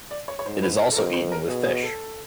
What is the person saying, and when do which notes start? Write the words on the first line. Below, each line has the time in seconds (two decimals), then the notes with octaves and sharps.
It is also eaten with fish.
0.11 D5
0.28 C#5
0.39 C#5
0.46 G#2 C5
0.62 B4
0.80 A#4
0.92 A4
0.97 F2 A#4
1.13 C5
1.32 A#4
1.48 B2 G#4
1.65 G#4
1.83 A4